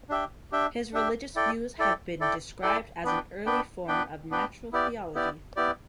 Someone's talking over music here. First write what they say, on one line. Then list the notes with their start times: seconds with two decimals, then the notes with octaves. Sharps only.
His religious views have been described as an early form of natural theology.
0.09 D4 G4 E5 G5
0.52 D4 G4 E5 G5
0.93 D4 G4 E5 G5
1.35 E4 A4 D5 G5
1.78 E4 A4 D5 G5
2.20 E4 A4 D5 G5
2.62 E4 A4 D5 G5
3.04 B3 D4 B4 G5
3.46 B3 D4 B4 G5
3.88 B3 D4 B4 G5
4.31 B3 D4 B4 G5
4.73 B3 E4 G4 D5
5.15 B3 E4 G4 D5
5.56 B3 E4 G4 D5